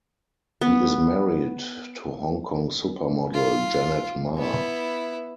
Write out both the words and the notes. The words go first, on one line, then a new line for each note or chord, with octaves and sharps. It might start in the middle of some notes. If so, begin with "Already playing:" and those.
He is married to Hong Kong supermodel Janet Ma.
B3
F4
B3 E4